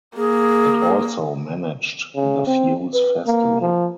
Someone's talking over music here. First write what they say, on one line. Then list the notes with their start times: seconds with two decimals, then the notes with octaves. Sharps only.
It also managed the Fuse Festival.
0.17 A#3 G#4
2.15 C#3
2.47 C4
2.94 B4
3.27 A#3
3.62 F3